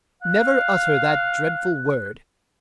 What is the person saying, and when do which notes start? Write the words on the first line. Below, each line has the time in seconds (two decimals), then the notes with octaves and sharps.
"Never utter that dreadful word."
0.22 F5 F#6